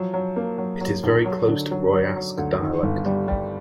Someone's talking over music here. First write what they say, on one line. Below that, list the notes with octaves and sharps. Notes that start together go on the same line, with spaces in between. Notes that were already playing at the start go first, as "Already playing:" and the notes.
It is very close to Royasc dialect.
Already playing: F3 F#3
F#3
A#3
F#3
F#3
B1
F#3
D3
F#3
F#3
F#3
D2
D#3
G1
G3
G3